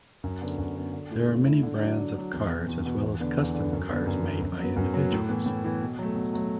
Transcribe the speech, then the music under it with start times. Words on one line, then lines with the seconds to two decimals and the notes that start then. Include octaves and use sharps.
There are many brands of cars as well as custom cars made by individuals.
0.24 F#2
0.41 D3 B3
0.58 F#2
0.76 D3 B3
0.93 D3
1.10 A3 E4
1.29 D3
1.46 A3 E4
1.63 D3
1.80 F#3 D4
1.98 D3
2.15 F#3 D4
2.33 E2
2.50 B2 B3
2.68 E2
2.85 B2 B3
3.02 E2
3.20 D3 B3
3.37 E2
3.54 D3 B3
3.73 F#2
3.89 D3 B3
4.07 F#2
4.24 D3 B3
4.42 F#2
4.59 F#3 B3
4.76 F#2
4.94 F#3 B3
5.12 A2
5.29 E3 B3
5.46 A2
5.64 E3 B3
5.82 B2
5.99 F#3 A3
6.15 B2
6.34 F#3 A3